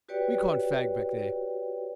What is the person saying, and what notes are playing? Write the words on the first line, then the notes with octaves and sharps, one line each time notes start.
We can't fag back there.'
F#4 G4 B4 C#5 D5 G5